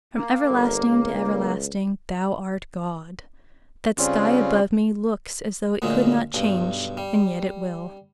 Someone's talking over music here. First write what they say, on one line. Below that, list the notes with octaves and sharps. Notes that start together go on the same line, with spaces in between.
"From everlasting to everlasting, Thou art God." That sky above me looks as though it could not change, and yet it will.
A#3
G1
C#2
C#3 G3 C4 C#4 F4
D2 A#2 F#3 G#3
B1 G2
G3